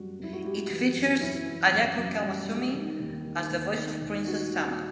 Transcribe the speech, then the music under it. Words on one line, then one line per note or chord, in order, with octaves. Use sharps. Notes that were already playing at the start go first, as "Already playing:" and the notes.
It features Ayako Kawasumi as the voice of Princess Tama.
Already playing: F#2 G3 F#4
F#2 E4
F#4
G3 E4 G4
E3
F#2
F#2 E4
E3
F#2
F#2
G3
G3
D#3
D#2
D#3
D#2
D#3
D#2
G3 F#4
D#2